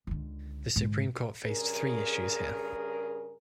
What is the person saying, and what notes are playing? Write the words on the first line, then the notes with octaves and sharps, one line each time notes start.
The Supreme Court faced three issues here.
C#2 D3
G#2 D3
G2 C#3 G#4 A#4